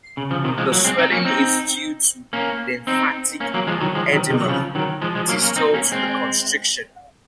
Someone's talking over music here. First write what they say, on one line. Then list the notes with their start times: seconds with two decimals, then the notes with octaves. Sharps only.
The swelling is due to lymphatic edema distal to the constriction.
0.17 C#3
0.31 C#3 F3
0.44 C3 D#3
0.58 F3 G#3
0.72 F#3 A#3
0.84 G#3 C4
0.98 C4 D#4
1.12 A#3 C#4
1.25 C4 D#4
2.33 A#3 C#4
2.87 C4 D#4
3.40 A#3 C#4
3.54 F#3 A#3
3.67 F3 G#3
3.81 D#3 F#3
3.95 F3 G#3
4.12 D#3 F#3
4.30 C3 D#3
4.40 F#3
4.48 C#3 F3
4.75 D#3 F#3
5.02 F3 G#3
5.15 F3 G#3
5.28 F#3 A#3
5.42 A#3 C#4
5.56 C4 D#4
5.74 A#3 C#4
5.92 G#3 C4